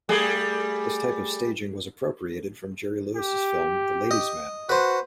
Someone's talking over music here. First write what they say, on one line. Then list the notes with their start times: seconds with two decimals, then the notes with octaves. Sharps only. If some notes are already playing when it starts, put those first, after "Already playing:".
This type of staging was appropriated from Jerry Lewis's film "The Ladies Man".
0.09 G3 A3 G#4
3.17 G4
4.11 D#5
4.69 F#4 B4 C5